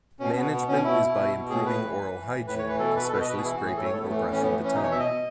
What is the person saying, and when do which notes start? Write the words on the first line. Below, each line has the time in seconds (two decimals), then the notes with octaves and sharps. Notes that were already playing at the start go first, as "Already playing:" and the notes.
Management is by improving oral hygiene, especially scraping or brushing the tongue.
0.20 B2 C#4
0.35 B2 B3
0.52 B2 B3
0.68 B2 C#4
0.84 B2 E4
1.02 B2
1.18 B2
1.33 B2
1.49 A2 G#4
1.66 A2 B4
1.83 E3
1.98 E3
2.14 E3
2.31 A2
2.47 A2 B4
2.59 C#5
2.64 E3
2.69 B4
2.79 B2 A4
2.96 B2 B4
3.08 A4
3.12 B2 B4
3.20 D#5
3.28 B2 B4
3.37 G#4
3.44 E3 E4
3.56 F#4
3.62 A2 G#4
3.77 A2 A4
3.85 C#5
3.93 A2 A4
4.02 B3
4.09 E3 A3
4.21 B3
4.26 A2
4.31 C#4
4.42 E3 B3
4.53 A3
4.58 E3
4.64 C#4
4.75 B2 D#4
4.83 C#5
4.91 B2 E5
4.99 D#5
5.07 B2